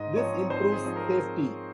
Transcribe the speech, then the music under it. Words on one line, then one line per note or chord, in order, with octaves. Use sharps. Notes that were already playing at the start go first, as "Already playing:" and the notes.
This improves safety.
Already playing: G#2 D#5
F3 C4 D#4 C#5
G#2 C5
G#4
F3 C4 D#4
A#4